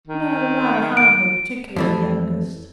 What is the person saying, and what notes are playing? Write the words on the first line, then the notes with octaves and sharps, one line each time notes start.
'No, rather homely, particularly the youngest.'
D#3
D7
F2 E3 A3